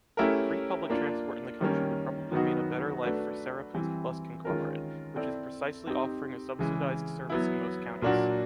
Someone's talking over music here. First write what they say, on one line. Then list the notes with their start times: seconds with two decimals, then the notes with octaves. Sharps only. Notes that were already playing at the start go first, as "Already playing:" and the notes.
Free public transport in the country would probably mean a better life for Sarapuu’s bus conglomerate, which is precisely offering a subsidized service in most counties.
0.17 A3 C#4 E4 G4 A#4
0.90 A#3 D4 F4
1.61 D#3 G3 A#3 C#4
2.32 D#3 F#3 B3 D#4 F#4
3.03 A3 D4 F#4 B4
3.74 E3 G3 C4 E4
4.45 D#3 G#3 C#4 F4 A#4
5.16 C4 E4 A4 D5
5.87 C4 D#4 G4
6.59 C#3 E3 G#3
7.30 F#3 B3 E4
8.02 A#2 F#3 A#3 D4 F#4